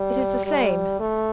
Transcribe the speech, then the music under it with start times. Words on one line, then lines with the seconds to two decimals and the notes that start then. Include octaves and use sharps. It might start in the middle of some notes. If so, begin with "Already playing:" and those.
"It is the same."
Already playing: G3
0.45 G3
0.99 A3